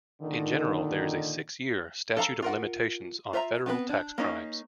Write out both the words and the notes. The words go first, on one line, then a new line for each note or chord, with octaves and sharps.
In general, there is a six-year statute of limitations on federal tax crimes.
A#2 D3 D#3
A4 F5 A#5
F4 A#4 F#5
F4 C5 E5 F5 A#5
B3 C4 D4 B4
D4
A#3 C#4 D#4